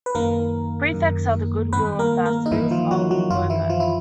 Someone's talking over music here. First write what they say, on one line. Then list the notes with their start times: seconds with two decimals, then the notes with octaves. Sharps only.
Prefects are the good-will ambassadors of Woburn.
0.06 B4
0.15 F#2 D#3 A#3 A#4
0.94 F#2 D#3
1.73 G2 D#3 B3 B4
1.99 A#3 A#4
2.26 A#3 A#4
2.46 D#4
2.51 G2 D#3 E3 E4
2.71 F3 F4
2.91 F#3 F#4
3.11 F#3 F#4
3.30 F#2 F3 F4
3.34 D#3
3.50 E3 E4
3.70 F3 F4
3.80 E4